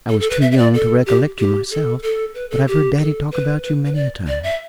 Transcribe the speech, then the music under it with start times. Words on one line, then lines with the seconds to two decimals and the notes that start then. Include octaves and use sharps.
I was too young to recollect you myself; but I've heard daddy talk about you many a time.
0.09 A4
0.20 A4
0.30 B4
0.41 E5
0.52 E5
0.57 D5
0.74 A4
1.06 G4
1.38 G4
1.71 A4
2.02 A4
2.35 B4
2.51 A4
2.67 G4
2.99 A4
3.31 B4
3.63 B4
3.85 B4
3.95 D5
4.28 D5
4.43 E5